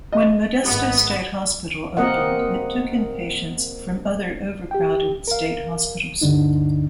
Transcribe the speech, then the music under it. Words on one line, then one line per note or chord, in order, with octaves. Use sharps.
When Modesto State Hospital opened it took in patients from other overcrowded State Hospitals.
D#5
G#1 B3
A#3 C4 A#4 D#5 F#5
G4 G5
A#4 F5
D2 G2 D3 D4 D#4